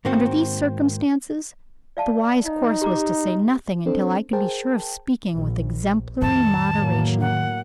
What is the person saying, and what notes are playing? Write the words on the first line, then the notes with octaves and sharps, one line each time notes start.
Under these circumstances, the wise course was to say nothing, until I could be sure of speaking with exemplary moderation.
G#2 D#3 A#3 C4 F#4
D5 F5 A5
D#4 D#5
G4 A#5 D6
C4 D4 A4 C5
G#4 A#4 C5 G5 A5
A#1
F2 A2 D#3 A5
A2 F#3 A#3
F#5